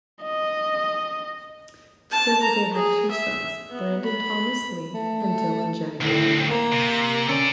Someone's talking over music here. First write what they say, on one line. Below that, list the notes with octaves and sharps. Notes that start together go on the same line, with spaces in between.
Together they have two sons, Brandon Thomas Lee and Dylan Jagger Lee.
D#5
A5
A#5
G#4
E5
B3
B5
A3
D2 A2 C4
A#3
C3
C#4 A4 D5